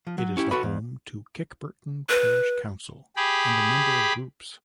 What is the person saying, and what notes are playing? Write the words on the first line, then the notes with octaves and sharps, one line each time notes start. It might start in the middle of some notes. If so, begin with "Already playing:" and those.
It is the home to Kirkburton Parish Council and a number of groups.
F3
F#3
C#4 E4 G4
F#4 A4 B4 C#5 B5
E2
B4
G4 G#4 B5